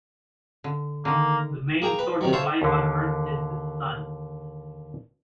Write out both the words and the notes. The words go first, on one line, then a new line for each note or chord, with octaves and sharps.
The main source of light on Earth is the Sun.
D3
D3 D#3 A#3
A#3 G#4 G5 A#5
B4
C3 D#3 F#3
C5 C#5 E5 F5 A5 C6
D#2 D3